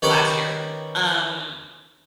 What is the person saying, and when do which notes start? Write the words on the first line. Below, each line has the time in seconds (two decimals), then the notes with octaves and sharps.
last year. Um,
0.02 D#3 C#4 G4 B4 C#5